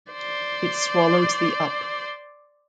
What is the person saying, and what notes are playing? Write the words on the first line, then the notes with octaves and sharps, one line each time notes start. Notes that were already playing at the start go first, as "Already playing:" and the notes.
It swallows thee up.
C5 D5